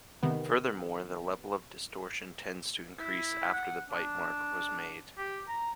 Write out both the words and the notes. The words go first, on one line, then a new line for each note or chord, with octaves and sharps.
Furthermore, the level of distortion tends to increase after the bite mark was made.
C3 D#3 B3
E4
F#5
D4
G4
A#5